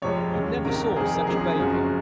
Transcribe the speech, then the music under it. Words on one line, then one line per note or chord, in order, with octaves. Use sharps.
'I never saw such a baby.'
F2 C3 F3 G#3 C#5
D#2 C#3 G#3
C2 C3 D#3 A#4
F2 C3 D#3 G#4
A#4
G#1 F#2 F3 G#3 G#4
F#1 F#2 F3 G#3 F#4